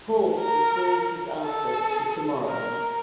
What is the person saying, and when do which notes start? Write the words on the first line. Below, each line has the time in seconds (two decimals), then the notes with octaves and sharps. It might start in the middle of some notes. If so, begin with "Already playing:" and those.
Paul defers his answer to tomorrow.
0.39 A#4
1.43 A4
2.46 A#4